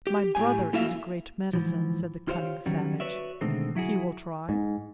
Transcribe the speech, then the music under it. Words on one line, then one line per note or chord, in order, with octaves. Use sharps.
"My brother is a great medicine," said the cunning savage; "he will try?"
G4
A2 G4 G#5
A3 A#3 E4 F#4 E5 F5
G#2 E3 F3
F4 G4 C5 C#5 D#5 F5
D#3 F#3 G3 B3 C#4
F#4 B4 C#5 D5 E5
B2 D3 D#3 G#3 A3 C4
F#3 E4 F#4 G#4
G#2